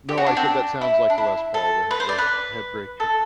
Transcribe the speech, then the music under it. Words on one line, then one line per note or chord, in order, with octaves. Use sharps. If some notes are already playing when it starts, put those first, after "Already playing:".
No, I said that sounds like a Les Paul, the he the he the head breaking,
G4
F#4
D4
C4
D4
E4
D4
E4
A4
B4
C5
D5
B4
A4